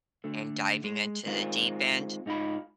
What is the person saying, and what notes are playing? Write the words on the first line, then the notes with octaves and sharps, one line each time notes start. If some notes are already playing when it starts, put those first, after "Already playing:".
and diving into the deep end.
D3 A3
G#3
D#3 G#3 C4 F4 A#4
G#2 D#4 F4 B5